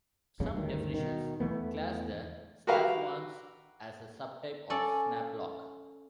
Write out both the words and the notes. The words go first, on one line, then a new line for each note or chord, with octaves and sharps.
Some definitions class the snaphaunce as a sub-type of snaplock.
A1 E2 G2 C#3
D2 G2 D#3
B2 D#3
E2 E3 A3 B3
F#4 G4 A#4 B4 E5 F5
C#4 A4 D5